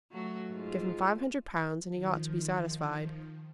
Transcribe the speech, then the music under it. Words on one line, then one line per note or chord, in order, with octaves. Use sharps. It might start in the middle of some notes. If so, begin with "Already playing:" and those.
Give him five hundred pounds, and he ought to be satisfied.
F#3 A3 F#4
G#2 F4
D#3 F3